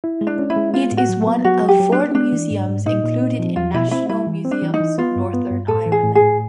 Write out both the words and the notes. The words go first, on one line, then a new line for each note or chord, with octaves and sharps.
It is one of four museums included in National Museums Northern Ireland.
E4
G#3
D4
C#4
E4
G#3
B3 F4
A2
F#4
F#3
B3
F#3 F#4
F#3
G4
F#3
D4
A#3
G#3 D4
E3
G#2
G#2
A#2 D#4
A#2
C4
F3
E2 F4
B2 E4
C4 E4
G3 E4
E3
C4
D4
E3
D#4
E3
B3 F4
G2
B3
G2
A2 A4
E3
G#4
A2
G#4
A2